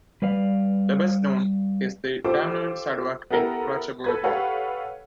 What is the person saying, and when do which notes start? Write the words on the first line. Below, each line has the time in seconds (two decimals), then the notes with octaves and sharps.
The best-known is the Damnoen Saduak in Ratchaburi Province.
0.22 G3 B4 D5 F5
2.24 F4 G4 A4 C5 D6
3.30 B3 E4 G4 A4 A#4
4.04 A4 B4 G#6
4.24 G4 A4 B4 C#5 F5 F#5